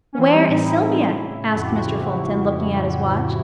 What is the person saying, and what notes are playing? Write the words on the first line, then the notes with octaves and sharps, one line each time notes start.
"Where is Sylvia?" asked Mr. Fulton, looking at his watch.
C#4
E3 C4
G3
A2 D#4
E3 E4
A2
A2
C#3
C#3
C#3
F2 F#4
G4
F3 F#4
C#3